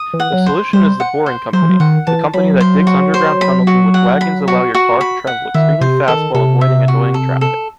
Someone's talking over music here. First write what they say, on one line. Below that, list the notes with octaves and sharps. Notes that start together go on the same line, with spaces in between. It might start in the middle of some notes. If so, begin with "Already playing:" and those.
The solution is the Boring Company, the company that digs underground tunnels in which wagons allow your car to travel extremely fast while avoiding annoying traffic.
Already playing: D#6
E3
F#5
F#3
C5
G3 C5
F#5
C5
F#3 C5
E3
F#3
D#3 F#5
E3 A5
F#3 B5
C5
F#4
C5
B5
F#4
F#5
B5
F#4
F#4
B5
F#5
D#3 E5
C3 C5
D#3 A4
C3 A4
E5
F#4
A4
A4